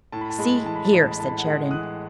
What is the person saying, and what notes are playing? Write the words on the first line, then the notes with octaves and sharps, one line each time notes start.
"See here!" said Sheridan.
A2 A5
B5
A5
G#3 B5
A5
B5
E3 A5
B5
A5
A1 B5
A5
B5
A2 A5
B5
F#5 A5
G#3
E3 D#6 F#6